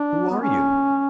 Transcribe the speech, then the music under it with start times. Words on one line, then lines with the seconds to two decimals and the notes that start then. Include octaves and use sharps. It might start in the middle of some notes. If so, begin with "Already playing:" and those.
"Who are you?"
Already playing: D4
0.30 B3
0.41 C#4